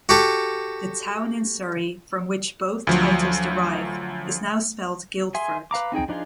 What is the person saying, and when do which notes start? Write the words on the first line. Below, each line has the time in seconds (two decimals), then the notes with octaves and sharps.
The town in Surrey from which both titles derive is now spelt "Guildford".
0.09 F#4 G4 A4
2.87 D2 F3 F#3
5.34 G#4 E5 G#5 C6
5.71 B4 F5 A#5 D6
5.92 C4 D#4 G#4 G5
6.08 F3 D4 D#4 F4 G#4